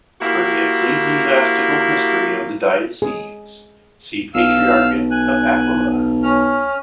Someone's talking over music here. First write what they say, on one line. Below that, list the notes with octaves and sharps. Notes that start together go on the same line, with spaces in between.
For the ecclesiastical history of the diocese, see Patriarchate of Aquileia.
A#3 E4 F#4 G4
G#4
B1 F5 E6
G#5 F#6
C#4 F6